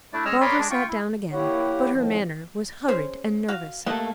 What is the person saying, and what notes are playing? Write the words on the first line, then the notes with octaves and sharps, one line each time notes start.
Barbara sat down again, but her manner was hurried and nervous.
A3 D4 E4 D5
G#3 C#4 C#5 D#5 E6 F6
A#4 C#5 D5 B5 C6 D#6
G#3 D4 D5
F4 G5 C#6
E4
A#3 E4 G4 C#5 F#5
F2 A2 D#3 F3
C#4 G#4 C5
F#4 F5
A3 A#3 G4 D#5 F#5